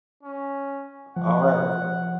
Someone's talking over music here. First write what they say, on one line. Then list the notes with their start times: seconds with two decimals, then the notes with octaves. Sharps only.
All right.
0.23 C#4
1.16 F3 F#5